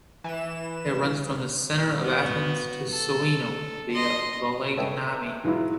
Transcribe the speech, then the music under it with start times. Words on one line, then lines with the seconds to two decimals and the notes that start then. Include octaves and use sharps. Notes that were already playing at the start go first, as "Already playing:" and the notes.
It runs from the centre of Athens to Sounio, via Vouliagmeni.
0.24 E3 E7
2.01 B3 F#4
2.90 A4
3.91 D#5 C6
4.77 A4 B4 C#5 D#5 E5 G5
5.44 G#2 E3 F#3 B3 E4 F4